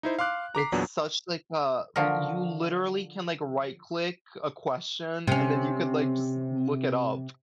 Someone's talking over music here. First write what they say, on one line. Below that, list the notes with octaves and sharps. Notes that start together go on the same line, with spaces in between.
it's such, like, a y you literally can, like, right click a question, and then you could, like, just look it up,
D#4 E4 C5
F5 C6 D6 F#6
A#5 D6 B6 C7
E2 A#2 F#3 B3 D4
D3 F3 F#4 A#4
C3 C#4